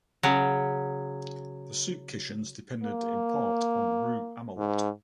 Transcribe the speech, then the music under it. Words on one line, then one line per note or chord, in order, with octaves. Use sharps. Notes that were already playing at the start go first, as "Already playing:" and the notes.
The soup kitchens depended in part on Rue Amelot.
C#3 F#3
A#3
G#2